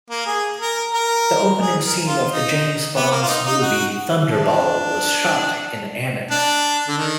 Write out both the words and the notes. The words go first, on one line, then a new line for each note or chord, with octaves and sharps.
The opening scene of the James Bond's movie "Thunderball" was shot in Anet.
A#3
G#4
A#4
A#4
G#4
A#4
F4
D#4
B3
A#3
F4
D#4
D#4
F#4
D4
D4
D3
D#3